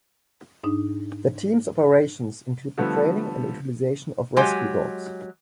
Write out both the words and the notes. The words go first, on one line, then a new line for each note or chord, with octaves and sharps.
The team's operations include the training and utilisation of rescue dogs.
G#2 D4 D#4
D3 F3 G3 A3 B3
F#3 G#3 G4 G#5